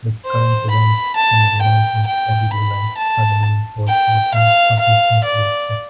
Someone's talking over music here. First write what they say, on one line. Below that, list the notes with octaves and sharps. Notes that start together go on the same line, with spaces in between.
The current events and the nonsense of everyday life are the main sources of his inspiration.
C5
B5
A5
G5
G5
B5
A5
G5
F5
F5
D5